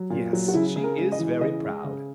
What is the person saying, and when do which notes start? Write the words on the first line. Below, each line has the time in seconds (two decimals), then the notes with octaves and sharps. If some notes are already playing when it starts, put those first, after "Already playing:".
"Yes, she is very proud."
Already playing: F#3
0.10 A#2
0.33 F#3
0.48 F#4
0.54 C#3 E4
0.76 C#3
0.83 A#4
0.98 G#3
1.12 D#5
1.19 E3
1.40 C#3 D#5
1.63 G#3
1.84 C#3